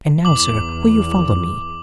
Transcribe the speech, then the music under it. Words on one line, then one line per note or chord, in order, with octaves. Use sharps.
And now, sir, will you follow me?
E2 D6 F#7